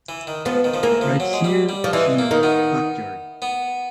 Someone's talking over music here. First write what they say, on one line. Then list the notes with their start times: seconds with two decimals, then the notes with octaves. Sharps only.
Right here in our backyard.
0.09 E3
0.27 D#3
0.46 F3 B3
0.64 D#3
0.74 F3
0.83 E3 A#3
1.01 F3
1.20 F#3
1.33 G#3
1.44 G3
1.69 G3
1.84 F3
1.93 E3 G#3
2.19 A#3
2.31 D#3
2.43 B3
3.42 B3